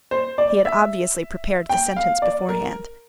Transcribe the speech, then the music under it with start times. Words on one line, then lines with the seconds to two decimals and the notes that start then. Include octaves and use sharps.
He had obviously prepared the sentence beforehand.
0.11 C5
0.38 D5
0.65 E5
1.69 G5
1.96 F5
2.22 D5
2.49 A#4